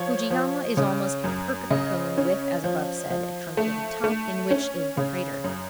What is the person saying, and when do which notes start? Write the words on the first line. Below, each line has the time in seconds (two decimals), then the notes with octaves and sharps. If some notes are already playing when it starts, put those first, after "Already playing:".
Fujiyama is almost a perfect cone, with, as above said, a truncated top, in which is the crater.
Already playing: F3 C#5
0.30 F3
0.77 C#3
1.24 F#2
1.70 C#3 D#5
2.18 C#4
2.64 F3
3.10 F3
3.57 A3
4.04 A3
4.51 C#4
4.97 C#3
5.44 F#2